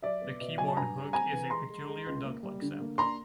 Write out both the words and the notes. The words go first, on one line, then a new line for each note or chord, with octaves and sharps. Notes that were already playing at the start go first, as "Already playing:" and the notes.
The keyboard hook is a peculiar duck-like sound.
F#3 D5 E5
B3
B2
F#3 G#5
A5
G2 G#5 A#5
G3
C4 G#5 A#5
E3
G#3 A#5 C6
G#3
G#3
C#2
A#3
G3
D3
A#3
D4 A#5 C6